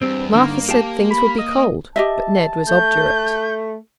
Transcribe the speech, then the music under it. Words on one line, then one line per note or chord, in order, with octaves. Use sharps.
Martha said things would be cold, but Ned was obdurate.
E2 G2 C4
D#2 D3 D#3 A#3
G4 F5 A5
B5
D#5
G4 D#5 E5 A5
A3 G6